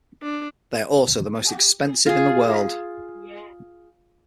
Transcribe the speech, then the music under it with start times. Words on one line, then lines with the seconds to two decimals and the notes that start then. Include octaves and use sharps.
They are also the most expensive in the world.
0.23 D4
2.06 F4 G#4